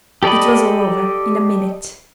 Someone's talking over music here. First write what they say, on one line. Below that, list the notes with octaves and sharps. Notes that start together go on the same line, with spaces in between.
It was all over in a minute....
G4 A4 D5 D#5 B5